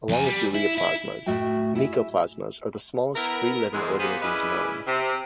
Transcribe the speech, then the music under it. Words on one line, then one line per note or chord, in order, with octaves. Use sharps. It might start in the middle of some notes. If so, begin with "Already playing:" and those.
Along with ureaplasmas, mycoplasmas are the smallest free-living organisms known.
F2 G#5
G3
E4
E4
A2 A3 F#4 E5 G5
E4 G#4 E5
B3 E4 A#4
E2 G#3
A#3 B3 G4 G#4 B4 C5
C#4 E4 G#4 B4 D5 D#5
C3